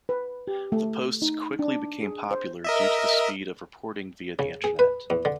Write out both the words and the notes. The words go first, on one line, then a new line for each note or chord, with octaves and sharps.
The posts quickly became popular due to the speed of reporting via the Internet.
B4
G4
A3
D#4
D4
G#4
C5
A#4 D#5 E5
C#3
G#4
B4
E2
D3